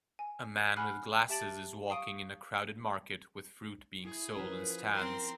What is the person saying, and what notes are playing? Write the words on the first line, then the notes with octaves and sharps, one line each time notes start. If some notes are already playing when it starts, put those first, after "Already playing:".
A man with glasses is walking in a crowded market with fruit being sold in stands.
G#5
F#5 G#5 B5 F6 F#6 C7
G4 E5 A5 A6 D7 F#7
F5 C#6 D#6 D7 D#7
E4 G#4
F3 C#4 A#4 B4
C4 A#4 A#5 C6